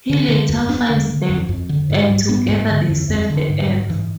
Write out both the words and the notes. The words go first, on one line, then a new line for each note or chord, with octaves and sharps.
He later finds them, and together they save the Earth.
D3
D3
E2
E2 B3 D4
D3
D3
F2
F2
D3
G#2
G#2
G#2 B3 D4
G#2
D3
F2
F2
D3
G#2
G#2
G#2 E3